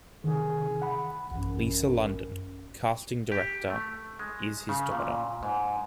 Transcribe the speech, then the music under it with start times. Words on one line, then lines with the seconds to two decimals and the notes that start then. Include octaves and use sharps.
Lisa London, casting director is his daughter.
0.24 C3 D#3 G#4
0.82 F#5 B5
1.31 A1 F#2
3.32 G4
3.70 A3
4.19 G#3
4.69 C#3
4.92 A#2
5.43 G#2